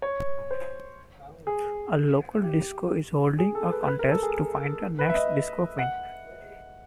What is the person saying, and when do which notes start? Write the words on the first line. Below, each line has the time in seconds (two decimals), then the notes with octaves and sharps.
A local disco is holding a contest to find the next Disco Queen.
0.02 C#5
0.51 C5
1.47 G#4
2.43 G4
3.39 G#4
3.55 A4
3.71 B4
3.87 B4
3.99 A#4
4.11 A4
4.22 G#4
4.99 B4
5.09 E5
5.15 D#5
5.79 F#5